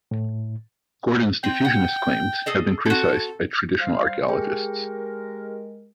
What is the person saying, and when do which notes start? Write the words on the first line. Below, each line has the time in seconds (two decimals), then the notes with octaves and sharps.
Gordon's diffusionist claims have been criticized by traditional archaeologists.
0.11 A2
1.44 C4 G5
1.65 F#5
2.46 G#4 A4 D#5
2.86 C4 F#4 A4
3.80 G3 C5 F5
4.28 G#3 G4 G#4 A#4 G5